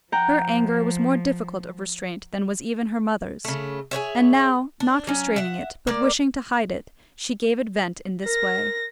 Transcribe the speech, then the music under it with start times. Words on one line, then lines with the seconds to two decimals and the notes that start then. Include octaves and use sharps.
Her anger was more difficult of restraint than was even her mother's,--and now, not restraining it, but wishing to hide it, she gave it vent in this way.
0.12 F3 F#5 G5 A#5
3.44 C#3 A3
3.91 G#4 B4 C#5 E5
4.80 D4
5.07 F#3 C#4
5.36 E5 F#5
5.87 A#3 D5
8.26 A#4 A#6